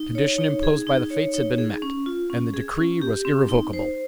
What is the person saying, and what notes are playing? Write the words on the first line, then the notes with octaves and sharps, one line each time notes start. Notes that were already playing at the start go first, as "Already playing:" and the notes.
The condition imposed by the Fates had been met, and the decree was irrevocable.
Already playing: D#4
C#5
D#4
G#4
D#4
C#5
D#4
G#4
C#4
F4
C#4
G#4
C#4
G4
C4
D#4
C5